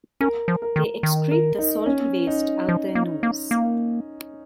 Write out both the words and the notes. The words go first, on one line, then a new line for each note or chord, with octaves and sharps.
They excrete the salty waste out their nose.
C#4 A#4
F3
A#4
D#3
D#3
A#4
D#4
C#4
D#4
F3
A#3
A#3
A#3